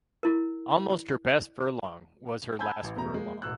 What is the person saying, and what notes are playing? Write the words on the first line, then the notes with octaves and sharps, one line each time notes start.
Almost her best furlong was her last furlong.
E4 A#4
G#5 A5 B5 E6 G6 G#6
A1
E2 B2 A3 A#5
G#3 A#3
E1 A1 E6 F#6